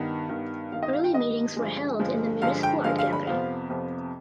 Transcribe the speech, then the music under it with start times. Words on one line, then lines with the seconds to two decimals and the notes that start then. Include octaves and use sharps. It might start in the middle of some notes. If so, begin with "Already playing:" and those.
Early meetings were held in the municipal Art Gallery.
Already playing: G2 D#3 B3
0.29 G2 D#3 B3
0.72 G2 D#3 B3 F5
0.83 D#5
0.93 F5
1.04 G5
1.14 G2 D#3 B3 D#5
1.57 G2 D3 F3 G#3
1.99 G2 D3 F3 G#3
2.42 G2 D3 F3 G#3 F5
2.63 G5
2.84 G2 D3 F3 G#3 F5
2.99 F5
3.13 B5
3.27 F2 C3 F3 B3 F5
3.69 F2 C3 F3 B3